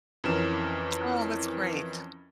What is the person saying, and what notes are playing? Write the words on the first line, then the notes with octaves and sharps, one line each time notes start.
Oh, that's great.
F2 E3 C#4 A#4 E7